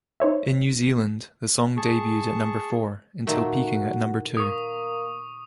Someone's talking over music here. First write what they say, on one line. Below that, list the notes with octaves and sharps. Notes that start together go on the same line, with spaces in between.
In New Zealand, the song debuted at number four, until peaking at number two.
D#4 C5 C#5 E5
G#4 A5 C#6
A#2 D#3 A3 F#4
A#3 C#6 D#6